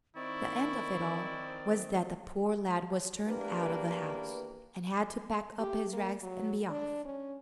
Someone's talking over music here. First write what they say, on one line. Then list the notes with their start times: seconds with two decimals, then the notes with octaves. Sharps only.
The end of it all was that the poor lad was turned out of the house, and had to pack up his rags and be off.
0.16 D#3 C4 E4 D5 C#6
3.26 E2 A#3 D4 G4 B4
5.59 G4
5.93 A#3
6.22 F#3
6.70 D4
7.05 C#4